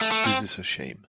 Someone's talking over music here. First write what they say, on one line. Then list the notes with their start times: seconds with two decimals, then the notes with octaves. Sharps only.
This is a shame.
0.01 A3
0.12 A3
0.24 C4